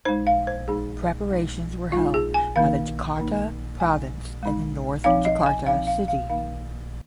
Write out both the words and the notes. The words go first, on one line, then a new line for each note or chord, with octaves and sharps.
Preparations were held by the Jakarta province and the North Jakarta City.
G#3 D#4 C5
F5
C5
G#3 D#4 G#4
G#3 D#4
G#3 D#4 F4
G#4
G#5
D#3 A#3 D#4 F5
D#3 A#3 D#4
G#3 D#4 G#5
G#3 D#4
F3 C4 D#4 F5
D#5
G#5
F3 C4 D#4 F5
F5
F5
D#3 A#3 D#4 F5